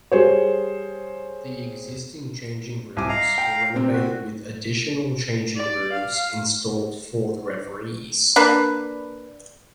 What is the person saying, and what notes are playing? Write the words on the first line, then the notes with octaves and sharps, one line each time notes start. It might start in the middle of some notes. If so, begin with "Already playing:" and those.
The existing changing rooms were renovated with additional changing rooms installed for the referees.
G3 G#4 C5 C#5
C2 G#5 D6
D#5 F5 A#5
G5
C3 C4
F#4
D5
F5
A#3 D4 B4